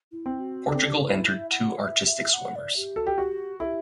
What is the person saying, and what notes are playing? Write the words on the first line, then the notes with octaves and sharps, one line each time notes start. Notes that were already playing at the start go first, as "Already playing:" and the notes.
Portugal entered two artistic swimmers.
E4
C4
F#4
D4 G4
C4 A4
D4 G4
E4 E5
F#5
E5
E5
F#5
D5
G4
F#4 A4
G4
F#4 G4
E4 G4 A4